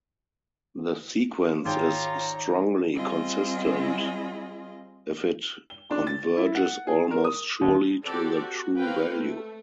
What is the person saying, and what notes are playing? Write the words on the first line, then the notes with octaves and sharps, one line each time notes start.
The sequence is "strongly consistent", if it converges almost surely to the true value.
G#1 F4 G#4 C#5 G5 A#5
G3 C4 F4 G#4 D#5
G7
D4
A6
E4
F#5
G#4
A#4
D#6
D#2
C4 F#4 G4 A4 D5
F#4
A#3 C4 B4 F5 G5
A3